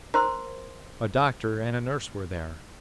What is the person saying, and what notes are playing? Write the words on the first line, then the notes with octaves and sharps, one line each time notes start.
A doctor and a nurse were there.
A#4 C5 A#5 C6